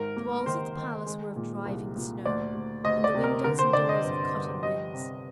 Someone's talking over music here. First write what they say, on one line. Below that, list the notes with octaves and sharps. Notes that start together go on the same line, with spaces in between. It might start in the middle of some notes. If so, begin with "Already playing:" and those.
The walls of the palace were of driving snow, and the windows and doors of cutting winds.
Already playing: G#1 A#4
A#3
D#3 C5
D#3
G#3
A#2
C2
A#2
D2 D5
D2
D2 D#5
D5
C3
A#4
D3 A#4
C5
D3 D5
D#5
G1
G1
G3 D#5
C3